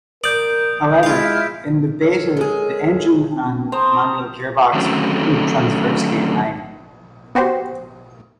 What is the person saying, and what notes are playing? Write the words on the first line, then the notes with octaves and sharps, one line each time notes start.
However, in the Beta the engine and manual gearbox were fitted transversely in-line.
A#4 D5 D#6 G6 D7
G#3 E4 F4 F5 F6
A4 A#4 C#5
G#3 G#4
C4 D4
C4 C5 A5 A#5 D#6
D3 D#3 F#3 A3 C4 C#4
B3 F#4 G4 C5